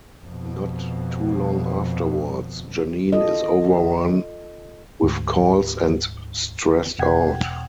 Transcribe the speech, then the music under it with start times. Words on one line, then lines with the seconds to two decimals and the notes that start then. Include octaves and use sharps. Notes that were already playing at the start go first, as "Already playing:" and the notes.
Not too long afterwards, Janine is overrun with calls and stressed out.
0.24 F2 B2
3.12 F4 A4 D#5
5.02 D2 G#2
6.99 E2 B2 F#5 G5 G#6